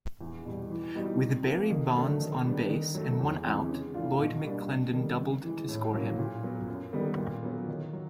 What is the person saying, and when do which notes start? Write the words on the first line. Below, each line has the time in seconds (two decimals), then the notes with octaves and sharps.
With Barry Bonds on base and one out, Lloyd McClendon doubled to score him.
0.21 E2
0.45 B2 G3
0.70 E3
0.95 G3 B3 D#4 F#4
1.20 C3
1.45 F3 A#3
1.70 D#3
1.95 F#3 A3 D4
2.20 D#3
2.44 G3 B3 D4
2.70 D#3
2.95 F#3 A3
3.19 E2
3.44 C3 E3 G#3 C#4
3.69 C#3
3.94 E3 A3 D4 F4
4.19 B2
4.44 G3 A#3 D4
4.69 C3
4.94 D#3 G3
5.18 C#3
5.44 E3 G#3
5.69 A2
5.93 F#3 A#3 C#4
6.19 A#2
6.43 F#3 B3
6.68 F#2
6.93 D#3 G3 B3
7.18 A#2
7.43 F#3 B3
7.68 D#3
7.93 F#3